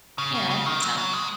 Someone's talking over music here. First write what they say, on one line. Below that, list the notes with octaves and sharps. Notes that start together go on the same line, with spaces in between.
Yeah, I think so.
C#3
C#3
C#3
D#3
F#3
F#3
G#3